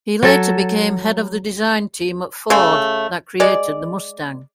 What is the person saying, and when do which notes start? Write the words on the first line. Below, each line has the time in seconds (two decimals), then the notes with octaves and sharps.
He later became head of the design team at Ford that created the Mustang.
0.23 F#3 A4
2.50 C#3 A3
3.40 G#3 D5